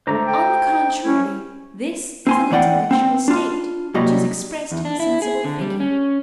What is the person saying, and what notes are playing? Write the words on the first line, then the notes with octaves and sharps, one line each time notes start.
On the contrary, this is an intellectual state which is expressed in a sensible figure.
D3 A3 C5 A#5 D6
G5
C#4 E4
C4 G#5 C6
A2 E3 D5 F#5 G5
C4
D4 F4
C2 A#2 F#3 G3 D#5
E2
D4
E4
G#4
D3
G3
C#4